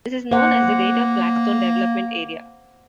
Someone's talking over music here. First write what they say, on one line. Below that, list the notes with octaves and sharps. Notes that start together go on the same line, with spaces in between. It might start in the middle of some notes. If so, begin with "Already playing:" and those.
This is known as the Greater Flagstone development area.
A#3 C5 F#5